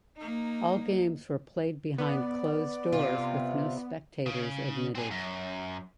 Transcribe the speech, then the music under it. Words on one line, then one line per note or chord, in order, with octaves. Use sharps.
All games were played behind closed doors with no spectators admitted.
A#3 D#4
B3 D5
C3 F4
C#3
C4 G#4
F#2